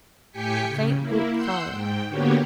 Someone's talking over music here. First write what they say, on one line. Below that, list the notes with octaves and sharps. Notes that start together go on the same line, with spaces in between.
A faint whoop followed.
A2 G4 G5 G#5 B6 C#7
C#3
A#3 E4
F#5 C6 E6 G6
G#2 G5
D3 A#3 B3 F#4 G4 C#5